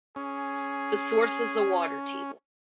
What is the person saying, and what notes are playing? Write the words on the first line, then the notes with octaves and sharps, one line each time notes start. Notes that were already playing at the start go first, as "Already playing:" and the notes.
The source is the water table.
C#4 G#4